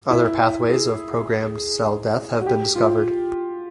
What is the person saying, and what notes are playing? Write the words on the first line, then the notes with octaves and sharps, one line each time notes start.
Other pathways of programmed cell death have been discovered.
E4
G#4
F#4
G4
F4